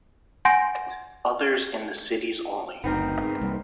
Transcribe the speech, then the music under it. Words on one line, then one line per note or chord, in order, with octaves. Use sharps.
Others in the city's only.
F#5 G#5 C6 G6 A#6 D7
F#1 D2 B3 C4 D#4 A#4
G#2
C2 G3 A#3